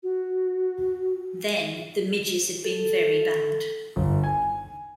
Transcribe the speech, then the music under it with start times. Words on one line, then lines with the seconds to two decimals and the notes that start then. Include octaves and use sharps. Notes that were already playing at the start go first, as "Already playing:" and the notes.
Then the midges had been very bad.
0.03 F#4
2.65 A4
3.96 G1
4.24 G#5